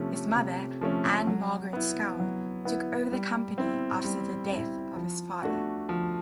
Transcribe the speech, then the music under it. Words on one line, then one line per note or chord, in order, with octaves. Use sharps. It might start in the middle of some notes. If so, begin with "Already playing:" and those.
His mother Ane-Margrethe Skou took over the company after the death of his father.
Already playing: C3 F3 A3 C#4
C3
F3 A3 C#4
F#3
B3 E4
F#3
B3 E4
G3
C4 E4
G3
C4 E4
F3
A3 D4 F#4
F3